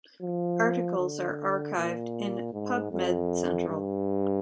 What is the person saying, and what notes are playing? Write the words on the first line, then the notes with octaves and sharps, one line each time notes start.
Articles are archived in PubMed Central.
F3
D3
A#2
G#2
F2
G2